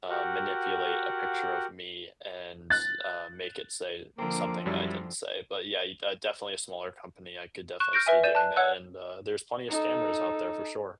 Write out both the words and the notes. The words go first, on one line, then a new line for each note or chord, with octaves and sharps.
uh, manipulate a picture of me and, uh, make it say something I didn't say, but yeah, you uh, definitely a smaller company, I could definitely see doing that, and, uh, there's plenty of scammers out there for sure.
F#4 G4 A#4 F#5
F#6 A6
D3 F3 A#3 C4 D6
F#2 F#3 G3 E4
C#6 F#6 E7
F6 G6 A#6 D7
B4 E5 G#5
D5 G6 D#7 E7
A5 F#6
C#5 F#5 E6 F#6
D#4 A4